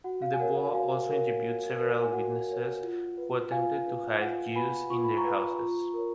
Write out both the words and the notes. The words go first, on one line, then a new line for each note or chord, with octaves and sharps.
Desbois also interviewed several witnesses who attempted to hide Jews in their houses.
F#4 F#5
F5
G#5
A#4 C#5 F#5
F#5
F#4 F5 G#5
A#4 C#5
F#4
A#4 C#5
G#5
F#4 F#5
A#4 C#5
F4
B4
F4 F5 G#5
B4
F4 F#5
B4 G#5 B5
F4 C#6
B5
A#5 C#6
B4
F4
A#4 C#5